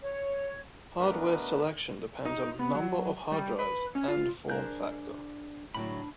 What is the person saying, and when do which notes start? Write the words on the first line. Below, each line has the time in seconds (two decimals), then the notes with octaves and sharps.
Hardware selection depends on number of hard drives and form factor.
0.01 C#5
1.00 B2 A3 B3 D4 A#4 B4
2.25 D#4
2.59 B3
2.75 F#3
3.32 G3
3.59 B4
3.95 C#4
4.08 F4
4.50 D4 G#4 A#4 C5 F#6 G6
5.75 A2 D3 F#3 D4 B5